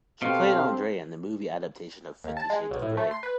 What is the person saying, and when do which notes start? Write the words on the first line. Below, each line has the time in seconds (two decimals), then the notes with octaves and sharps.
She played Andrea in the movie adaptation of "Fifty Shades of Grey".
0.22 B2 C4 G4 A4 F5
2.24 D#2
2.37 A5
2.50 G#3
2.71 B1
2.82 A2
2.97 A3
3.11 C6
3.23 B4